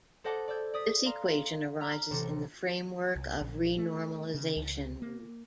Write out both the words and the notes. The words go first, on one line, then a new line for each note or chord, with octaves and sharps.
This equation arises in the framework of renormalization group.
A4 C5 D#5 F#5 A5 D6
D5 D6 E6 G6 G#6
D5 D#6 B6
F5 A#5 C6
A#5 F6 B6
A1 C3 A4 D6
C2
A#1
A3
C#3
C#2
A#3